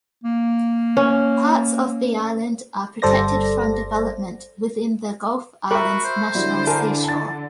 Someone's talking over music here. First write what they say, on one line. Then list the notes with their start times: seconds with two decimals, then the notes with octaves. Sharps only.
Parts of the island are protected from development within the Gulf Islands National Seashore.
0.24 A#3
0.97 C#4
3.02 G1 G3 A4 C5 D5 A#6
5.71 F#4 A#4 E5 B5 C#6 F#6
6.04 C5
6.35 D3 F#3 G3 E4
6.67 A#4 G#5 A5
7.04 A5 A6